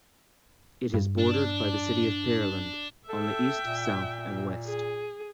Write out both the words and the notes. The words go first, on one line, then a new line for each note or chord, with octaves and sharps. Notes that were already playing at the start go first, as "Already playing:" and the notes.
It is bordered by the city of Pearland on the east, south, and west.
G2
D4
A4 E5 G5
A#2
G#4